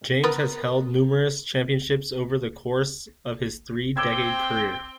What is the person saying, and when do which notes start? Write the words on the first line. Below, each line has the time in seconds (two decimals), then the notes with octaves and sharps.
James has held numerous championships over the course of his three-decade career.
0.24 B3 A#4 B4
3.97 C4 G5 D6 E6 G#6